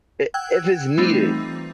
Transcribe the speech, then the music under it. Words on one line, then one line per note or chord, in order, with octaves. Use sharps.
er, if it's needed.
F#5 G5 E6 F#6 G#6
E3 G3 A3 C4 D#4 F4